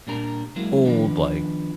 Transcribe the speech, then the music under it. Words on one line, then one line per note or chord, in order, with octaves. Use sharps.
old, like,
A#2 G3 D4 A#4 A#5
F#3 G#3 A#3 E4
D#3 F3 B3 D4